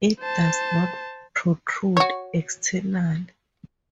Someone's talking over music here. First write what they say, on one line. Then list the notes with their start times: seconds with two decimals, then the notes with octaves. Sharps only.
It does not protrude externally.
0.20 C5 A5
1.97 F#4 C#5